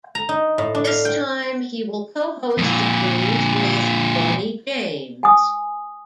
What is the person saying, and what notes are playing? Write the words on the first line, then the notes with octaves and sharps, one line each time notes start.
This time, he will co-host the cruise with Boney James.
A#5
D#4
A2
D4
F5
G5
F2 A#2
G#5 D#6